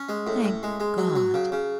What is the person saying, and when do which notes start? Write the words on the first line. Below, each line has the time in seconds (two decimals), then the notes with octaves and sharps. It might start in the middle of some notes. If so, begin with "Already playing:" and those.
"Thank God!"
Already playing: C#4
0.09 G#3
0.27 A2
0.45 A2
0.63 G#3
0.80 G#3
0.98 F#3
1.15 F#3
1.34 C#3
1.52 C#3